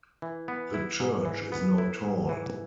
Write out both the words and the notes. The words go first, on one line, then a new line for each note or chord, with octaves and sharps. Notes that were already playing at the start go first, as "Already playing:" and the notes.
The church is now tall.
E3
B3
E4
G#2
E3
B3
E4
G#2
E3